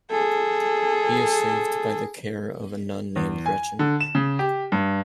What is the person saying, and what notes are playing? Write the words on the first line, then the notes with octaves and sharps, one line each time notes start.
He is saved by the care of a nun named Gretchen.
G#4 A4
E2
G#5
D3
E7
C#3
G4
G2